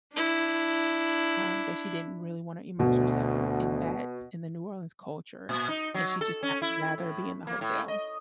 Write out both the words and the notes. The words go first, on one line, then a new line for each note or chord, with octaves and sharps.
um, that she didn't really wanna immerse herself in in that in the New Orleans culture, and she just had rather be in the hotel.
D4 E4
D2 B2
A#2
D#4
F#3
A4
C#4
E4
A2
A#3
A2
D#5